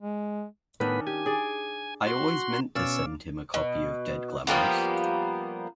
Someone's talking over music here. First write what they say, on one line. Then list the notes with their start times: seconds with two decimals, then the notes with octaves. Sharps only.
I always meant to send him a copy of Dead Glamorous.
0.02 G#3
0.80 A2 D#3 B3 C#4 D4 B4
1.07 G4 G#5
1.26 G#4 D5
2.07 F#4 C6
2.75 B2 C#4 D5 F5 E6
3.54 B2
4.47 F3 G3 A#3 B3